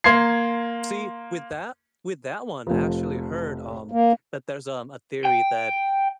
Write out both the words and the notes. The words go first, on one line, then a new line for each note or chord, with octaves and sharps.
See, with that with that one, I actually heard, um, that there's, um, a theory that,
A#3 C6 G#6 C7
F1 F3
A#3
G5